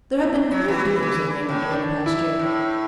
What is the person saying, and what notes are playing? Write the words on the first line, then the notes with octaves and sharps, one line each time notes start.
There have been queer doings in Raymond during the past year.
E4
D4
F#3
E3
E3
E3
A2
D4
E4
A2